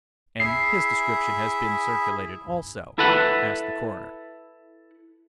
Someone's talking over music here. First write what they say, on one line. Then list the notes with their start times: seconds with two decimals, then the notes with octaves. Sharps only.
"And his description has been circulated also?" asked the coroner.
0.40 E4 G#4 E5 C7
2.98 E4 A4 B4 F#5